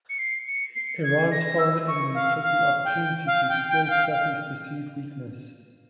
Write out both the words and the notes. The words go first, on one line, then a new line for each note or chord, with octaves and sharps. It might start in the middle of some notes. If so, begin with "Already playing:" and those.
Iran's foreign enemies took the opportunity to exploit Safi's perceived weakness.
C#7
C7
C#7
C7
G#6
A#6
E6
C#6
F5
F5
G5
F5
G5
G5
G5
F5
F5